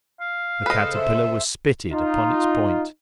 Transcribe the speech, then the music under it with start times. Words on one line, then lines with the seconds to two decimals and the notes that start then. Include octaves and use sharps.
The caterpillar was spitted upon its point.
0.20 F5
0.66 C#3 A4 B4 C5 D#5
0.97 E5
1.91 D#4 F4